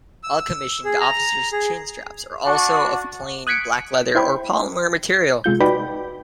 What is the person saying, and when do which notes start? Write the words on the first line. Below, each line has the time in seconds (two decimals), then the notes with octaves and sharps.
All commissioned officers' chinstraps are also of plain black leather or polymer material.
0.23 E6
0.85 G#4
1.01 A#5
1.52 G#4
2.45 D4 F#4
3.47 D#6 F#6 G#6 B6 C#7 D7
4.15 E4 C5 G5 B5
5.44 C3 G#3 F4 G6
5.60 D#4 F#4 B4 D5 G5 B5